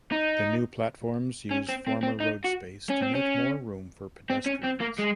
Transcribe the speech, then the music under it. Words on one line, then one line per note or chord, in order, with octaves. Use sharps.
The new platforms use former road space to make more room for pedestrians.
D#4
C#4
C4
C4
C4
D#4
F#4
C#4
C4
C#4
C4
C#4
C4
A#3
G#3